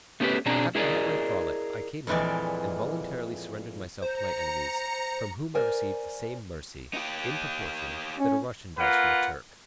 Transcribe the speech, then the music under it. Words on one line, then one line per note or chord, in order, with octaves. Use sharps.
Having had my frolic, I came out, and voluntarily surrendered myself to my enemies, from whom I received the same mercy, in proportion, that a Russian does from a Turk.
A3 B3 C#4 G4 G#4 B4
B2 C4 D4 G#4 A#5
E4 G#4 A#4 B4 D5 D#5
F2 A#2 E3 G#3 D5
C5 A#5 C#7
A#4 C5 D5 G#5
D#4 G4
C#4
A#3 F4 B4 F#5